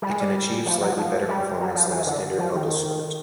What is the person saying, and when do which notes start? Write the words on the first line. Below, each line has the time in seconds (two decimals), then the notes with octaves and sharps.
It can achieve slightly better performance than a standard bubble sort.
0.02 G3
0.11 G#3
0.20 G3
0.66 F3
0.81 F#3
0.97 F3
1.28 G3
1.60 F#3
1.75 F3
1.90 E3
2.06 D3
2.38 F3
2.54 D#3